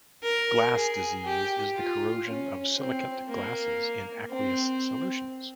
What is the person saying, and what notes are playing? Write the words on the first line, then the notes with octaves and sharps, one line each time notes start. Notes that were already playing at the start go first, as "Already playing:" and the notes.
Glass disease is the corrosion of silicate glasses in aqueous solutions.
A#4
G#4
G4
F4
C#4
C4
A#3
C4